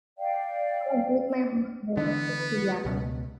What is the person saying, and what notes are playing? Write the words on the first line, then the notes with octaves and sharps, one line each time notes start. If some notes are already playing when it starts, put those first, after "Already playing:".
that would break my heart, yeah, um,
D5 F5 G5
D3 E3 B3 D4
B4
C#2 B2